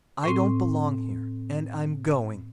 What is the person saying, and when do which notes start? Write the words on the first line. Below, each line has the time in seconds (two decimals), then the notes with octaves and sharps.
I don't belong here, and I'm going.
0.24 A2 C4